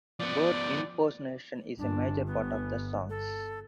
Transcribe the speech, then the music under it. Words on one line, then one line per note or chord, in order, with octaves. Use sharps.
Bird impersonation is a major part of the songs.
F3 B3 D5
G1 D4
B3
A4